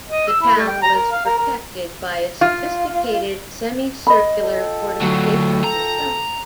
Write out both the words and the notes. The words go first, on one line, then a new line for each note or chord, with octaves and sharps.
The town was protected by a sophisticated semicircular fortification system.
D#5
E6
E4
A3
G5
A#5
A#4
F5
A#4
A#4
F4
D#5 B5
F4 A4 G5
D2 F#3
A#5